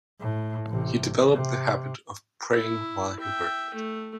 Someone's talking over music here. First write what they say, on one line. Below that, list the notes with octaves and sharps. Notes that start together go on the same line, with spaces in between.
He developed the habit of praying while he worked.
A2
A1 C3
C3
E4
E5 G5
A3